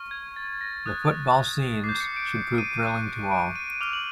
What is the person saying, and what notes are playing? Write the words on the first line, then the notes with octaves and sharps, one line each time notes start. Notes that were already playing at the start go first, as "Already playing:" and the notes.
The football scenes should prove thrilling to all.
Already playing: C#6 F6
G#6
A6
A#6
D#6 F#6
D6 C7
G6
C#7
D7
D#7
C#6 F#6 D#7
D7
D#7
D6 F6 F7
F#7